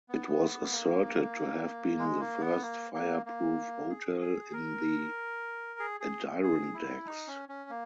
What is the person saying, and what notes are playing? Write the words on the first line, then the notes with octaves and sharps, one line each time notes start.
It was asserted to have been the first fireproof hotel in the Adirondacks.
B3
A#3
G#3
A#3
B3
A#3
A#3
A#3
G#4
G#4
A#4
G#4
G#4
G#4
E4
D#4
C#4
C#4
A#3